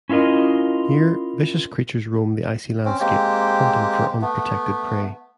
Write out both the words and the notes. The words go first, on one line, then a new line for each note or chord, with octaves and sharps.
Here, vicious creatures roam the icy landscape, hunting for unprotected prey.
C#4 E4 F4 A#4 D#5
C4 C#4
G#3 A#3 C4 G4
A3 B3